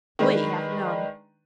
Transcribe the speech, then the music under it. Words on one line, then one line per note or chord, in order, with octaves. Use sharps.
We have none.
D#3 G#3 D4 B4